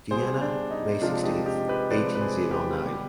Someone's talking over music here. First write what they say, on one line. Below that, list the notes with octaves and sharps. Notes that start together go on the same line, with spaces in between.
Vienna, May sixteenth eighteen zero nine.
B2 G3 G#4 C5
D4
D#4
C3 F3 G#3 D4 F4
D#4 G4
D#4 G4
G4 B4
C3 F3 G#3 B4 D5
B4
G#4 C5
G4 B4
B2 G3